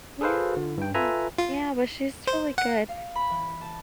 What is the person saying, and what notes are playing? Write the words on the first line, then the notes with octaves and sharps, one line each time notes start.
Yeah. Yeah, but she's really good.
G#4 A4 B4 C5 F5
D3
G2 G5
F4 A4 B4 E5 G#5 A#5
F4
C5
F#5
F5
B5
E3
A5